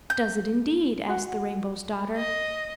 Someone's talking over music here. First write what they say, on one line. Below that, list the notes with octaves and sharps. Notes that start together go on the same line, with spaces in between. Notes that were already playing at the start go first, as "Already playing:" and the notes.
"Does it, indeed?" asked the Rainbow's Daughter.
G6
F#4 F#5
D#5